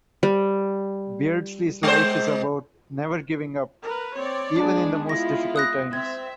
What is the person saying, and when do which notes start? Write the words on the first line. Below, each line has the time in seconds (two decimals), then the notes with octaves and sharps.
Beardsley's life is about never giving up even in the most difficult times.
0.23 G3
1.83 G#3 C5
3.83 A#4 B4
4.16 C4 C#5 D5
4.56 G#3 B3 D4 G#4 D6
5.09 E4 F4 A#6
5.56 D#6 F#6 A#6
5.93 C4 E5 G#6